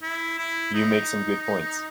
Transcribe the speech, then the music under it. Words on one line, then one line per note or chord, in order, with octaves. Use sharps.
You make some good points.
E4
E4
D#4